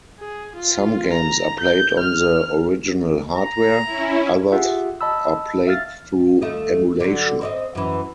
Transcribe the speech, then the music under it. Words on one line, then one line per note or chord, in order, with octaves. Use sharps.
Some games are played on the original hardware; others are played through emulation.
G#4
F4
A#5
G6
F6
A#5
C#4 E4
F4 G4 G#4 E5 F#5
D#5 A5 B5 E6
E5 F5 F6 A6
D#2 A3 D#5
D3 F#3
C4 D5 D#5
F#2 E3